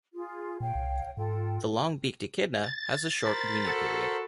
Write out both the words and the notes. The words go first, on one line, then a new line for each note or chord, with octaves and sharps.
The long-beaked echidna has a short weaning period.
F4 G#4
A#2 C#5 F5 G5
C2
G#2 F4 A4 G5
A6
A#4 C5 B5
F#4 A4